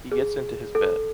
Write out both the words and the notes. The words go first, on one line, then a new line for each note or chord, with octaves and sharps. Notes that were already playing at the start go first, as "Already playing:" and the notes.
He gets into his bed.
G#4
A4